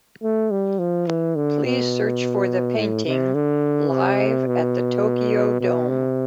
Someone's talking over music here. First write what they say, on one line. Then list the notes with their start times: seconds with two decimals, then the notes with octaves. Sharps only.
Please search for the painting Live at the Tokyo Dome.
0.23 A3
0.51 G3
0.79 F3
1.07 E3
1.36 D3
1.65 B2
2.77 A2
3.06 C3
3.35 D3
3.91 C3
4.47 B2
5.61 B2
5.88 C3